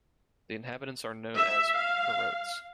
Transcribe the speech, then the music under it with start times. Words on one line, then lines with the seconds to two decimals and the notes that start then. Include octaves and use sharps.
The inhabitants are known as "Perotes".
1.36 E5
1.77 F5